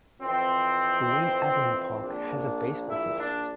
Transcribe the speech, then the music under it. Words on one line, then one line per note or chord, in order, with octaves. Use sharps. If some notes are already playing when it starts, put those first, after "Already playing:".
The Wayne Avenue park has a baseball field.
F2 E3 C4
A#1 A#2 F3 D4
E4
D4